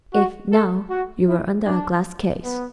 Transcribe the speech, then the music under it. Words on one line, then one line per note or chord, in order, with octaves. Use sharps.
"If, now, you were under a glass case."
F#4
A4
F#4
E4
D4
B3